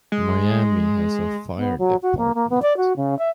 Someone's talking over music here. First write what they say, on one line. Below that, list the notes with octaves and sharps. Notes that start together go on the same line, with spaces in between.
Miami has a fire department.
G#3
B3
F#3
F#4
A#3
A#3
B3
D5
F#4
C#3
E5